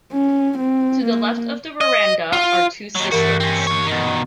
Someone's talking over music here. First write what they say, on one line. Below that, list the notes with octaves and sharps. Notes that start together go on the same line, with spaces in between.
To the left of the veranda are two cisterns.
C#4
C4
A#3
D#5
F4
D#2 F#3
G2 E3 A3 F#4 A#4
C4 C#4
D#2 C#5
B2 D#3